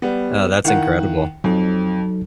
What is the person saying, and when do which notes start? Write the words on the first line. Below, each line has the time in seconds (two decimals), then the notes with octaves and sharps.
Oh, that's incredible.
0.02 G3 B3
0.65 D#3 E4 F5 F#5
1.44 F2 F#3 D#4 A4